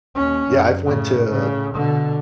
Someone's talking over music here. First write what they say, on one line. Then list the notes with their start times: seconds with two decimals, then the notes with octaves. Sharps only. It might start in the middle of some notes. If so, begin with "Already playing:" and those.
Yeah, I've went to
0.15 D#2 C#4
0.48 F#2
0.85 A2 C#3
1.29 A2 C#3
1.73 B2 D3